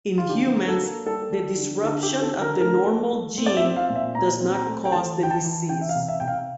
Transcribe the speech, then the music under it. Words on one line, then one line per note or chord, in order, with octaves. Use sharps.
In humans the disruption of the normal gene does not cause the disease.
F4
D3 G4
A#3
A4
A#3
G3 A4
G3
D3
D3 A4
G4
D3
A4
D3
A#4
A3 A#4
A3
A3
C4
D5
E5
C4
F5
A#2
E5
A#2 A#5
C4
A#5
A3
G5
E3 A5
E3 G5
A5
E3
E3 G5
E5
F5
C3
E5
C3 G5
F5